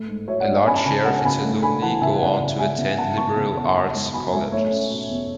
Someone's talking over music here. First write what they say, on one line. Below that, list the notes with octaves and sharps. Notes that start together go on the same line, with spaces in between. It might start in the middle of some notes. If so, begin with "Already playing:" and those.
A large share of its alumni go on to attend liberal arts colleges.
Already playing: A2 A3
G#2
F#3 C#5 E5
D5 F#5
G#2
C#4 G#5 B5
A5
C#3 G#5 B5
G#3 F#5 A5
C#3 G#5 B5
A3
D4 G#5 B5
E3 F#5 A5
C#3 E5 G#5
C#4 D5 F#5
C#3
G#3 E5 G#5
C#3
E3 F#5 A5
G#3 A5 C#6
C#3
E2
B3
G#2
F#3 G#5 B5
G#2 E5 G#5
A3 C#5 E5
C#4
B2
E2